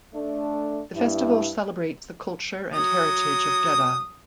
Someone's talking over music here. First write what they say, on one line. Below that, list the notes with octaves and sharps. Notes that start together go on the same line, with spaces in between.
The festival celebrates the culture and heritage of Jeddah.
A3 D4
G2 E4
F#3 D#6